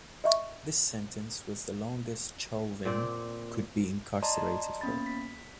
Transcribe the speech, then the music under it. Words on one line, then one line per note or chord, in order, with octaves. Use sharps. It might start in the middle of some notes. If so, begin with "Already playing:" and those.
This sentence was the longest Chauvin could be incarcerated for.
D#5 E5 C#6
A#2 C4 D5
D5 D#5 A5 A#5 C6
A#3 B3 C#4 B5 A6
B6